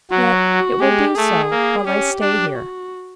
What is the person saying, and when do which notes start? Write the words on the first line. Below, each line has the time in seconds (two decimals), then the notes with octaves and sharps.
Yet it will do so, while I stay here.
0.11 F#3 F#4
0.80 G#3 G4
1.15 A3 G#4
1.51 A#3
1.85 C#4 G4
2.20 D4
2.56 F#4